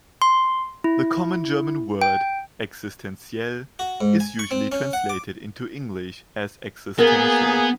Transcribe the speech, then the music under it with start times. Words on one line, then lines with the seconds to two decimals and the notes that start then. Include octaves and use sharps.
The common German word "existenziell" is usually translated into English as "existential".
0.22 C6
0.84 E4
2.01 G5
3.79 F#4
4.01 G#2
4.20 G#5
4.39 C#6
4.51 C4
4.72 C#4
4.93 F#5
5.09 D6
6.99 A#3 B3 G#4 A#4